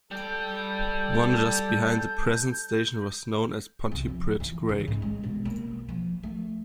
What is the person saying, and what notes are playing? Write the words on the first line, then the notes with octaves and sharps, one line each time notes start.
One, just behind the present station, was known as Pontypridd Graig.
G3 A4 G5 G6
C2
F3
E3
C#3
G#2
G#3
B2
A#3
F3
A3